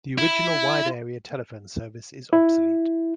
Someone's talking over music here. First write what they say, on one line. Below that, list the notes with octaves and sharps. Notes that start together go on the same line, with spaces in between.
The original Wide Area Telephone Service is obsolete.
E4
E4